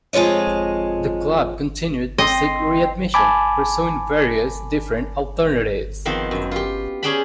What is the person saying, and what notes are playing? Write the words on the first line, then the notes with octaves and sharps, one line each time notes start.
The club continued to seek readmission, pursuing various different alternatives.
F2 G#3 F4 C#5 D#5
C4 D#5 G5 C6
G#5 A5 B5 D6
D#3 F3 B3 C4
F#2
F4 G4
C#4 G#4 D5 G5 A5 B5